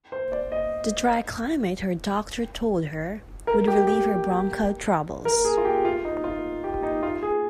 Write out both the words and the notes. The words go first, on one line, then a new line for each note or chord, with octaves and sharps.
The dry climate, her doctor told her, would relieve her bronchial troubles.
C5
D5
D#5
A#4
G4
G4
A#4
G#4
F4
G4
F4
D#4
F4
G4
D#4
F4
G#4